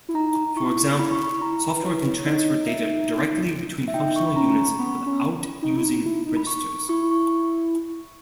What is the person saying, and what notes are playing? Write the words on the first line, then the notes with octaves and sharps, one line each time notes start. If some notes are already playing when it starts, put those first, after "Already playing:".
For example, software can transfer data directly between functional units without using registers.
E4
D#4 A#5
E4 C#6
E4 B5
C#6
B5
E4 A#5
B4
E4 C#5
C#5
D#4 D#5
E5
E5
D#4 G5
C#6
B5
C#4 A#5
C#6
B3 B5
C#6
B5
C#4
D#4
E4
D#4
E4
D#4
B5
C#6
E4 C#6
C#6